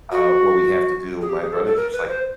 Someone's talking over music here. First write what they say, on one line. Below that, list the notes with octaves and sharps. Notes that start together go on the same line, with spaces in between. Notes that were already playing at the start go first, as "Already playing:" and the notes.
"Uh, what we have to do" my brother's just like,
F#4
G#4
G4
G#4
A4
A4
A#4
B4
C5